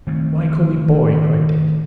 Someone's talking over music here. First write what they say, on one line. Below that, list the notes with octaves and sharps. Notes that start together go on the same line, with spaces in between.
"Why call me 'boy'?" cried Dick.
D#3 A3 C4